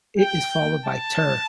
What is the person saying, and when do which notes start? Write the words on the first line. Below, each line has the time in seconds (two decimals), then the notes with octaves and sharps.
It is followed by Tir.
0.20 G5
0.86 A5